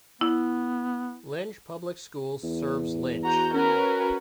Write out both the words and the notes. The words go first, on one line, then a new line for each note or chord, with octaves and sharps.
Lynch Public Schools serves Lynch.
B3 E4
E2
F#4 A#5 G6
C#4 F#4 A#4 B4